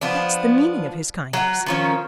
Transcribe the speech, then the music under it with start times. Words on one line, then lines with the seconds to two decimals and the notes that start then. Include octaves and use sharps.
That's the meaning of his kindness.
0.01 F3 B3 D4
1.33 F#3 F#5
1.66 D#3 F3 C#4